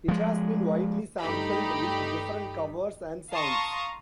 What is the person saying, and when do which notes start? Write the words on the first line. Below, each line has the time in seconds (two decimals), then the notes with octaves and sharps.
It has been widely sampled, with different covers and sounds.
0.08 F3 G#3
1.20 G2 A3 D#4 G4 B5
3.33 F5 A5 A#5 C6 C#6 D#6